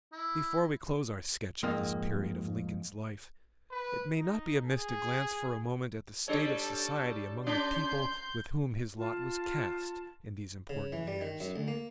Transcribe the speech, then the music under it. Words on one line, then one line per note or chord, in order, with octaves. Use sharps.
Before we close our sketch of this period of Lincoln's life, it may not be amiss to glance for a moment at the state of society among the people with whom his lot was cast in these important years.
E4
F2 G#2 A#3
B4
D#4
G#4
G3 D4 A4 C#5
C#4 D4 C6 G6
F4 A5
C#3
E3
G3
D#3
F#2
D2
A#3